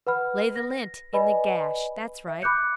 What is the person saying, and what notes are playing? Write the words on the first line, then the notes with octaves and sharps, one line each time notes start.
Lay the lint in the gash. That's right.
B4 F#5 B5 F6
A#6
B4 D5 D#5 G#5 B5
E5
B5 D6 F#6 G6 C#7